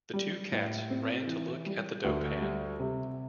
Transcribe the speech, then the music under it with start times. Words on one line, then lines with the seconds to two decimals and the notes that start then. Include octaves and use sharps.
The two cats ran to look at the dough pan.
0.13 G3
0.52 A2
0.90 C4
1.27 E3
1.66 G3
2.04 D2
2.41 G3
2.80 C3